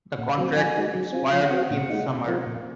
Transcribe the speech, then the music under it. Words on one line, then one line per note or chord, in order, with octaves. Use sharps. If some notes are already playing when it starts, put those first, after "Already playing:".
The contract expired in summer.
A#2 F#5
F#3 C4
F3 G#5
G#3 D#4 F#4
F#3
C4 F4
F3 F5
F#5
C4 F#4 F5
A#2 F#5
G#3 D#4
C3
F3 C4 F4
A#2